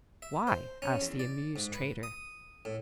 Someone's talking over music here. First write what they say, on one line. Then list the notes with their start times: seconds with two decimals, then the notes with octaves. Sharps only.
'Why?' asked the amused trader.
0.22 E5
0.47 C5
0.82 C#4
1.02 E2
1.19 D5
1.56 G#2
1.74 B4
2.03 D#6
2.65 A2